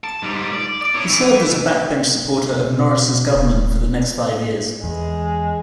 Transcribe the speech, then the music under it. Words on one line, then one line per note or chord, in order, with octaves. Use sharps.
He served as a backbench supporter of Norris's government for the next five years.
A5
G#2 G3
D5
D5
E4 C#5
E3
B2
D#1
E2 G#3